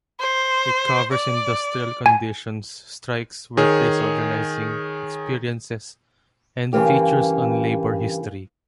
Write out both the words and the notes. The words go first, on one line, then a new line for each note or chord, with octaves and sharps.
It covers industrial conditions, strikes, workplace organizing experiences, and features on labor history.
C5
D5
G#5
D#3 G#4 C#5
G2 C#3 E3 A#3 G4